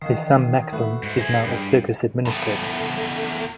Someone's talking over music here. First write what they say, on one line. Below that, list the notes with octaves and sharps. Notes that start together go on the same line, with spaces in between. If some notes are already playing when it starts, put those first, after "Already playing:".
His son, Maxim, is now a circus administrator.
D#3 E3 F5 C7
A3 F#4 B4
G#2
G#4 C5 G#5 A#6
G2 B4 G5
E2 A3